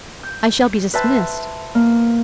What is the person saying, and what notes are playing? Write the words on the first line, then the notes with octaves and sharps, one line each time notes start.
I shall be dismissed.
G6
B4 C5 E5 A5
A#3